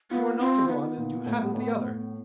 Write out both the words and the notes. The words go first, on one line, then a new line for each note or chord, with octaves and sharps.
But you are not the one and you haven’t the other.
B3 F4
C4 F4
B3 D#4
A#2
A2
A2